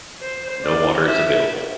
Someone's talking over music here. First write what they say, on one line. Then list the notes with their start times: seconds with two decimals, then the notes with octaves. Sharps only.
No water is available.
0.21 C5
0.64 D5
1.07 E5